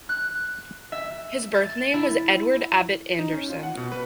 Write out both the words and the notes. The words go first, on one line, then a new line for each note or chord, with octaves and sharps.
His birth name was Edward Abbot-Anderson.
F#6
E5
A6
E4
D#4
C#4
F4
F#5
B2
B4